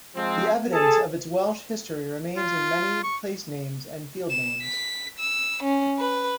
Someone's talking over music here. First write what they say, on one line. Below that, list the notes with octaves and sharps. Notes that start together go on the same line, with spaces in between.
The evidence of its Welsh history remains in many placenames and field names.
F3 G#3 C4
G#4 A4 A5
F4
C#6
E7
B6
E6
C#4
B4